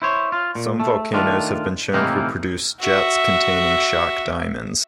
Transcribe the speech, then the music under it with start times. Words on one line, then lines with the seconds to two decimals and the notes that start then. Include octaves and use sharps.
Some volcanoes have been shown to produce jets containing shock diamonds.
0.02 E4 C5 C#5
0.32 F4
0.55 A#2
0.80 A3
1.13 D#3 A3 D4 F4
1.93 A2 C3 D#3 E3 A#3 D#4
2.81 F#4 E5